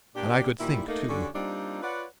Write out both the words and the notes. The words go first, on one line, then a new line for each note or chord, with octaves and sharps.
And I could think, too.
A#2 D4 G4
A#2 D#3 G3 E4
A3 A#3 D#4
D3 C#4 D4 F#4 G4 A4
G3 A#3 C4 D4 D#4 F4
F4 B4 C#5 D5 F#5